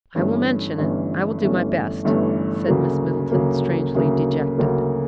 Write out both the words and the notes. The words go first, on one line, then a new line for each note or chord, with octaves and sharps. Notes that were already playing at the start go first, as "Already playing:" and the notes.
"I will mention it: I will do my best," said Miss Middleton, strangely dejected.
G1 G2 E3 A3 C#4
G1 G2 E3 A3 C#4
G1 G2 E3 A3 C#4
G1 G2 E3 A3 C#4
D2 C#3 F#3 A#3
D2 C#3 F#3 A#3
D2 C#3 F#3 A#3
D2 C#3 F#3 A#3